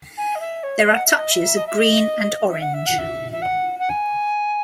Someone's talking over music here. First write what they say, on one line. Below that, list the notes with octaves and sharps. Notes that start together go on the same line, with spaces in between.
There are touches of green and orange.
G#5
D#5
E5
C#5
D#5
F#5
E5
D#5
E5
D#5
E5
D#5
E5
F#5
E5
F#5
E5
E5
F#5
F#5
G#5